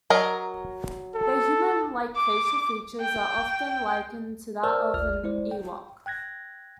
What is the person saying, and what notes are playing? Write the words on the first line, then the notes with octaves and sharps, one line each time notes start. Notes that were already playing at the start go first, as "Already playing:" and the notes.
Their human-like facial features are often likened to that of an Ewok.
F#3 A#4 D#5
A4
D6
G5
A#4 C5 D5 A5 E6 F6
G1 D2 D5 F6
G#3 E4 C5 D5
G5
G5 F#6 G#6 A#6